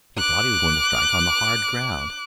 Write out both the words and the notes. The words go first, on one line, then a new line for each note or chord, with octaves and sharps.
He thought he was going to strike on the hard ground.
D6 F#6